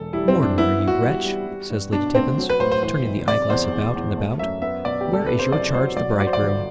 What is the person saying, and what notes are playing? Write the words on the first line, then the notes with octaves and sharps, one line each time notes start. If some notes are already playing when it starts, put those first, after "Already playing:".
'Mortimer, you wretch,' says Lady Tippins, turning the eyeglass about and about, 'where is your charge, the bridegroom?'
Already playing: E1 A4
G3 E4
C4
G2
D4
B3 E4
B3
F#4
G3
G3
G3
G2
B2 D4
A3 C4
F#3
B4
A2 C5
C5
E3 C5
B1
C3 D5
E2 C5
E2
E2
A3
F#2 E5
B3 E5
B2 D5
G4
D2
A4
C3 B4
C5
F#1 D5
F#3 C5
F#3 D5
F#3 D5
C5
D5
G1